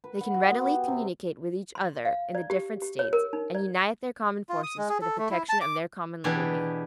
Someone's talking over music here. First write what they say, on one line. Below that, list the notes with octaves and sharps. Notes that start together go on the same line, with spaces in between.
They can readily communicate with each other in the different States, and unite their common forces for the protection of their common liberty.
B4
F#5
F#4
B3
G4
C3
C6
F5
D5
G4
G4
C#5
A#4
D#4
D5
F4
D#6
G#3
G#4
A4
A3
E4
A5
D6
B2 E3 D4 E4 G4 G#4